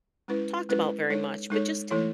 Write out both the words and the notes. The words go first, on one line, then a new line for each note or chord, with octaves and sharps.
talked about very much, but just
G#3 C#4 E4 B4
G#3 C#4 E4 B4
G#3 D#4 A4 C#5
G#3 D#4 A4 C#5
E3 A3 E4 A4 C#5